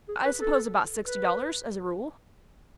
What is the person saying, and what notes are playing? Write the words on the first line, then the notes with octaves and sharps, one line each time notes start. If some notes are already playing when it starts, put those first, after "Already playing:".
"I suppose about sixty dollars, as a rule."
G#4
B4
A4
B4